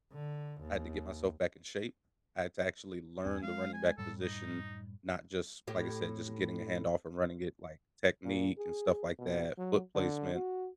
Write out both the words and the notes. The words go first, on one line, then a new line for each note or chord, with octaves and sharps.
I had to get myself back in shape. I had to actually learn the running back position, not just, like I said, just getting a hand off and running it, like, technique and stuff like that, foot placement,
D3
D#2
E2 C4 G#5
G#3 F5
G#5
F#2 A2 G3 A4
D#4
A2 G4
A#2
G#4
B2
F#3
D3
F#4